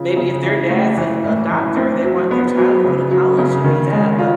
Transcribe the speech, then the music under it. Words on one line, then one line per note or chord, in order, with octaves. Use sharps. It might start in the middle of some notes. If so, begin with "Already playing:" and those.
maybe if their dad's a a doctor, they want their child to go to college to be that but
Already playing: C#3 F3
C#3
E3
A3
E3
A2
E3
C4
F#3
B3
F#3
C#3
F#3
C#3
D#3
G#3
F4